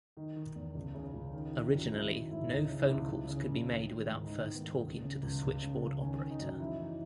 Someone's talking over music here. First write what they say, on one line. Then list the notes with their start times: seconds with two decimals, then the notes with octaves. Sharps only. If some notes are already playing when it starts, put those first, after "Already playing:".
Originally, no phone calls could be made without first talking to the Switchboard operator.
0.17 D#3 D#4
0.36 D#3
0.56 E2
0.75 C#2
0.95 C#3
1.14 C#2
1.33 D#3 D#4
1.53 D#3 E4
1.72 F#2
1.92 D#3 E4
2.11 D#3 D#4
2.31 G#2 E4
2.50 C#2 D#4
2.70 C#3
2.80 E4
2.90 C#2
3.09 C#2 E4
3.28 C#3
3.48 C#2
3.68 D#3
3.87 D#3
4.07 G#2
4.26 D#3 D#4
4.46 D#3
4.55 B3
4.64 G#2
4.84 C#2
5.04 C#3
5.23 C#2
5.43 C#2
5.62 C#3
5.82 C#2
6.01 D#3 C#4
6.21 D#3
6.30 D#4
6.40 F#2
6.59 E3 E4
6.79 E3 D#4